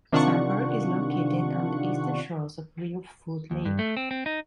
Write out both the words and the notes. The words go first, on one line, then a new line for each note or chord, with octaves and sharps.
Samburg is located on the eastern shores of Reelfoot Lake.
C3 D#3 D4 F4 F#5 C#6
D#2
G2
A3
C4
C4
D#4